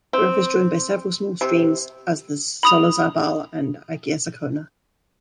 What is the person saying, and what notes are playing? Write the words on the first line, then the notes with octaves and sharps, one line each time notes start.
The river is joined by several small streams as the Solozabal and Agirre-Sakona.
C4
C3
B5 D#6 F7